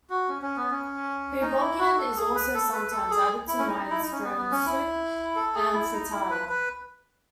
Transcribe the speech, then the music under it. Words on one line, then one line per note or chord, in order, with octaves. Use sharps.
"Preboggion" is also sometimes added to minestrone soup and frittata.
F#4
C#4
C#4
B3
C#4
D#4
E4
F#4
A4
G#4
B4
A4
B4
A4
G#4
E4
C#4
D#4
E4
D#4
C#4
B3
B3
C#4
E4
A4
G#4
E4
D#4
E4
B4
B4